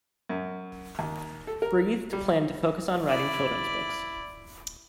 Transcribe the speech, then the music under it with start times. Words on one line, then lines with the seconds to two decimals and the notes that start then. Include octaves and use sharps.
Breathed planned to focus on writing children's books.
0.29 F#2
0.99 D#2
1.47 A4
1.62 A#4
2.13 G3
3.08 E4 D5